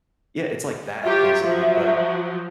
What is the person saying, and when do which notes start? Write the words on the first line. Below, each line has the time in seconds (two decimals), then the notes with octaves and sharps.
Yeah, it's like that, basically, but
1.03 F#3 F4 G4 E5
1.43 F3 F#3